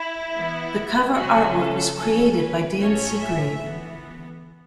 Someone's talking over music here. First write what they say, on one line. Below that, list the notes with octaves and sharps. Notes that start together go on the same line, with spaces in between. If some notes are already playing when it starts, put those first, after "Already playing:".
The cover artwork was created by Dan Seagrave.
Already playing: E4
E3 B3
C#3 F#3 C#4 F#4
A4
E3 C#4 A4
B4
A2 A3 C#4 C#5
E5
E3 B3